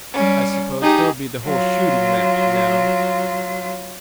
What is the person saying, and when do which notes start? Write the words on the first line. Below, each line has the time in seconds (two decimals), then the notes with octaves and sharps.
"I suppose he'll be the whole shooting match, now."
0.13 G3 C#4
0.82 D#4 G4 G#4
1.45 F#3 F4